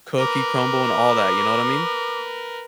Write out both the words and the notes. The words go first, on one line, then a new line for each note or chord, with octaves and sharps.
cookie crumble and all that, you know what I mean?
A#4 B4 D6